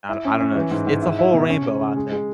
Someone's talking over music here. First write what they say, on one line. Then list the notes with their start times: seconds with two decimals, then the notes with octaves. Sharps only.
I do I don't know. It's just it's a whole rainbow out there,
0.09 E4
0.25 C#4
0.41 C#4
0.56 E3
0.71 G#2
0.87 G#2
1.02 E4
1.19 E4
1.34 B2
1.49 C#4
1.65 C#3
1.81 C#3
1.96 G#3
2.12 G#3